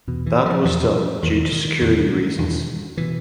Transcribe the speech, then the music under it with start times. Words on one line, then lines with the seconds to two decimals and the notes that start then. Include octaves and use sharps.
That was done due to security reasons.
0.07 E2 B2
0.26 E3
0.46 F3
0.65 E2 B2 F3
1.23 E2 B2 D#3
1.47 E3
1.52 D#3
1.81 E2 B2 D#3
2.38 E2 B2
2.97 B2 E3